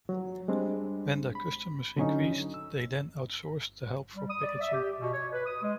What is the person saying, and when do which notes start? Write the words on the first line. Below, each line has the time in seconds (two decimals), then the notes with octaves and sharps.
When their customers increased, they then outsourced the help for packaging.
0.09 F#3
0.48 G3 G#3 C4 D4
1.35 B5
1.96 D3 F#3 C#4 D#4
2.54 E6
4.15 G3
4.30 D#6
4.44 D5
4.61 E5
4.72 G4
5.01 B2
5.13 C#5
5.33 B4
5.46 D#6
5.63 G#3